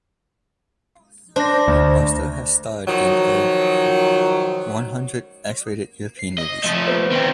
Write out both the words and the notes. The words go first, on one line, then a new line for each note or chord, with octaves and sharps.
Buster has starred in over one hundred X-rated European movies.
D4 C5 A#6
D2
D#3 F3 F#3
C7
D#5
F3 A3
B3 B4 C5
D#3 B3 C4 G5